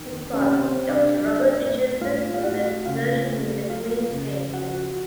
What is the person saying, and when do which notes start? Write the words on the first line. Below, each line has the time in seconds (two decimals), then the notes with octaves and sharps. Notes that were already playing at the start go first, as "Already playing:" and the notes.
His father Doctor Robert Richardson was a surgeon with the Queen's Rangers.
Already playing: F2 D#3
0.33 C3 C#4 C#5
0.62 C4 C5
0.75 C3
0.89 D4 D5
1.17 F#3
1.60 A2
2.01 A2 F4 F5
2.34 F5
2.43 A2 F#4 F#5
2.85 C#3 F4 F5
3.28 A3
3.69 F#3 F4 F5
4.11 C#3
4.53 F3 F#4 F#5
4.75 F#4 F#5